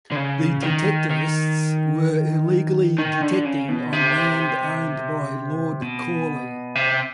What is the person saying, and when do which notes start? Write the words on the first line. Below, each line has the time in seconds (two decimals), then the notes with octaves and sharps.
The detectorists were illegally detecting on land owned by Lord Cawley.
0.11 D3
0.16 C#3
0.63 D#3
1.10 D#3
2.99 D#3
3.22 D3
3.46 C#3
3.69 B2
3.93 C3
5.82 B2
6.75 C3